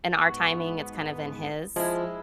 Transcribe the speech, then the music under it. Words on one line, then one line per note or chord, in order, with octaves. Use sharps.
in our timing, it's kind of in his.
G#2 B3 F#4
F3 G#3 E4